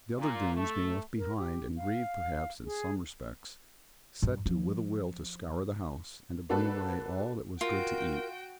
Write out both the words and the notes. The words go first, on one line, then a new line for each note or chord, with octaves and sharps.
The other Doones being left behind, and grieved perhaps in some respects, set to with a will to scour the house, and to bring away all that was good to eat.
A#2
A3
A#4
G4
F5
G#4
G2
F3
A#3 D4 F#4 A4 B4
F4 F#4 A#4 G5